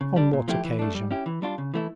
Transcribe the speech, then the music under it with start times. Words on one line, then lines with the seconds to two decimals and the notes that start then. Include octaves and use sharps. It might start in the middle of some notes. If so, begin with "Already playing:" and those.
"On what occasion?"
0.01 C#3
0.16 G3 D4
0.33 A#2
0.48 F3 A3 E4 G4
0.64 E3
0.79 A3 D4
0.94 G3
1.11 C#4 E4 G4
1.26 E3
1.42 G3 D4 F4
1.58 C#3
1.74 E3 A3 E4